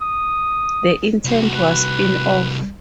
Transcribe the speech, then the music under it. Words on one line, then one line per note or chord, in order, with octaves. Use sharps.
The intent was spin off.
D#6
C2 F#4
B4